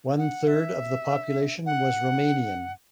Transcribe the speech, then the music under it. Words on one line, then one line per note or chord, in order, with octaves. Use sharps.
One third of the population was Romanian.
F#5
E5
F#5